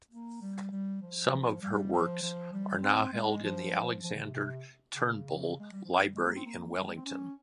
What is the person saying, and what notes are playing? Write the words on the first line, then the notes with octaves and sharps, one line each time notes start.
Some of her works are now held in the Alexander Turnbull Library in Wellington.
A#3
G3
G3
F3
F3
G3
F3
F3
G3
C4
G#3
F3
F3
C#3
C3
C3
C#3
G#3
G3
F3
G3
G#3
A#3
C4
A#3
G3
G#3
C4
C#4